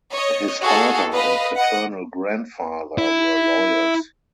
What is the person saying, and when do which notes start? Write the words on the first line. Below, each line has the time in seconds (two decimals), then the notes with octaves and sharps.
His father and paternal grandfather were lawyers.
0.13 C#5 D#5
0.63 F#4 G#4 A4 F5
1.13 B4 D#5 F5
1.57 D#5 F#5
2.98 E4